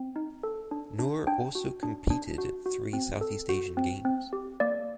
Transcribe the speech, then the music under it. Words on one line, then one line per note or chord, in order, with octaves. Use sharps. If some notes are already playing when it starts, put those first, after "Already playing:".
Nur also competed at three South East Asian Games.
Already playing: C4
D#4
A4
D4
D4
D4 G5
F#4
D4
D4
F#4
F#4
C4
A4
F#4
C4
C4
G4
A#3 D5